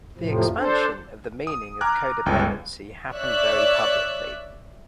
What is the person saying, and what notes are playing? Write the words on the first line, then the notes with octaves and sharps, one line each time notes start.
The expansion of the meaning of codependency happened very publicly.
F2 A2 C3 F3
D4 A4 C5
D#6
A#5 D6 F6 F#6 G#6
G1 C#2 G5
C#5 D5 E5 E6 F#6